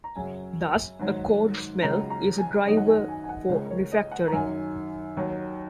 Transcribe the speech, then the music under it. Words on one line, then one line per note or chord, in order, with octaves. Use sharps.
Thus, a code smell is a driver for refactoring.
A#5
F#2 C#3 F#3 G#5
G#2 D#3 F#3
C#2 C#3 F#3 A#5
A#5
G#5
F#2 D#3 F#3 D#5
F#5
G#5
G#5
G#5
F#5
C#2 C#3 G#3 C#5
A#4
C#5
D#5
F#5
A#5
F#2 D#3 F#3 G#5
D#2 D#3 F#3